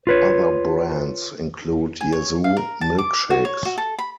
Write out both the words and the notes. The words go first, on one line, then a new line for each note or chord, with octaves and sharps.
Other brands include Yazoo milkshakes.
F4 B4 C#5
G#5
C#5
F5
A#4
A5
D6
F#4
C#5
F#4
A4
B5